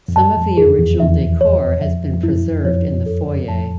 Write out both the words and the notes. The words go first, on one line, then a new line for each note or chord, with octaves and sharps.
Some of the original decor has been preserved in the foyer.
F2
F#2 A5
F2
E2 G#4
E2
F2
E2 E5
C#5
F2 E5
F2
F#2 E4
F2 C#5
A4
F2 A5